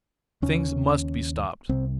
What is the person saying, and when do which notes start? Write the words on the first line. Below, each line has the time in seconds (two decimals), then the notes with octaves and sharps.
Things must be stopped.
0.42 D#2 C#3 C#4
1.69 C2 C3 C4